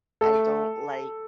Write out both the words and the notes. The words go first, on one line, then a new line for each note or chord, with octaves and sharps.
I don't like,
A3 A4